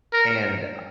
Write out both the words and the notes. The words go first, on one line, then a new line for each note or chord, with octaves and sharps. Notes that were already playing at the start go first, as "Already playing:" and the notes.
And, uh,
A#4